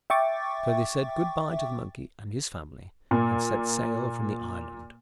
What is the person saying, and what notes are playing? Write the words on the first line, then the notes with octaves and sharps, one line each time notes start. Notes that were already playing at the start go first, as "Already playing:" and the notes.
So they said good-bye to the monkey and his family, and set sail from the island.
E5 G5 C#6 D6 A6
A#2 A#3